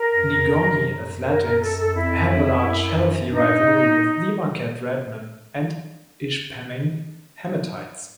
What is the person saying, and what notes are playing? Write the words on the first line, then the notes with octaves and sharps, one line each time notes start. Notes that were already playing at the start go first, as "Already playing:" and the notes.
Negaunee athletics have a large, healthy rivalry with the Marquette Redmen and Ishpeming Hematites.
Already playing: A#4
F#2
F2
F2
F#2
A#4
A#4
A4
A4
F2 E4
F#2
F2
F#2
F#2
G2 D#4
A#2
A2